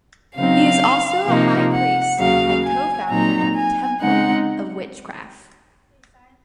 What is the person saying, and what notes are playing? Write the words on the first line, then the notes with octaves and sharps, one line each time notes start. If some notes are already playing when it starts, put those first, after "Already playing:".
He is also a high priest and co-founder of Temple of Witchcraft.
C#3 F#3 C4 D#4 F5
C3 F3 A#3 D#4
F#5
D#2 C#3 F#3 F5
G#5
A#2 F#3 C4 D#4 A#5
G#5
C#3 G#3 C4 D#4 F#5